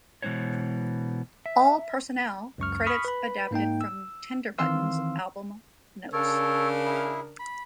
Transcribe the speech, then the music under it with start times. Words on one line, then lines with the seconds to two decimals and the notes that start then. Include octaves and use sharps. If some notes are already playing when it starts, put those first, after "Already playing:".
All personnel credits adapted from "Tender Buttons" album notes.
0.22 B2 E3 G#3 C#4 C5 C#5
1.46 E5
2.58 C#2 F#2 C#6 F6
2.86 B5 C#6 D#6 F6 B6
3.05 B4 B5
3.51 G#2 A#3 D#4 G5
3.81 E6
4.58 D#3 E3 C4 F5 C6 E6
6.13 C#3 D4 A4 A#4 C#5
6.85 E4 G#4
7.39 B5